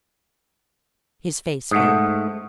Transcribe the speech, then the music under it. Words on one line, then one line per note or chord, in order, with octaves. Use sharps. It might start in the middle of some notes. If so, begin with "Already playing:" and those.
His face fell.
G#2 A3 F#5 D#6